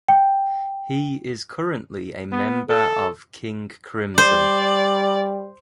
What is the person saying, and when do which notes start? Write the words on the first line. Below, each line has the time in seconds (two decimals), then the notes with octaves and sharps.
He is currently a member of King Crimson.
0.08 G5
2.33 B3
2.69 A4
4.18 G3 C5 D5